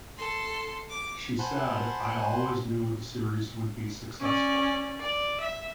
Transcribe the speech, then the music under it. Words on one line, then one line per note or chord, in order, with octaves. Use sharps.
She said, I always knew the series would be successful.
A4 C6
D6
C5 F#5 G#5 A5 B5 C6
C#4 D5
D5
E5